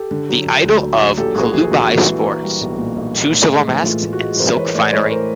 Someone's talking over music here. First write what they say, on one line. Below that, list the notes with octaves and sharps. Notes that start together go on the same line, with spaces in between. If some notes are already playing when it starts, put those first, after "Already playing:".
The idol of Kalubai sports two silver masks and silk finery.
Already playing: G4 A4
D3
F#3
D3
D2
F#3
F#3
A#1 G4 A4
A#1 F#4 G#4
E3 F#4 G#4
A#1 F#4
A#1
E3
A#3
G3
B1
A#2
B1
A#3
A2
G#3
E3
A2 F4
A2
F#4
G#3
E3 A#4 C5
E3 B4 C#5
A2 C5 D5
E3 B4 C#5
C#5
A#4 C5